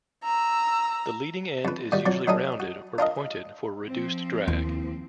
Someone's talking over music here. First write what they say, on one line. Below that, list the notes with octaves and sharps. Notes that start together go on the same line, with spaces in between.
The leading end is usually rounded or pointed for reduced drag.
A#5 E6
F2 B4
A#2 D#3 G3 F#4
F2 F#3 D5
F#3 D4 D#4 G#4 A#4
F#4
D4 F4 A#4 D#5
F3 C4
D#2 E4